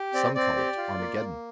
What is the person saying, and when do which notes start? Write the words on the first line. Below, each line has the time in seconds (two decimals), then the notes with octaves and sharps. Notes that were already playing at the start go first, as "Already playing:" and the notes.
"Some call it Armageddon."
Already playing: G4
0.14 C4 D5
0.35 C4 D5
0.57 G4
0.77 F4
0.98 A#3
1.20 A#3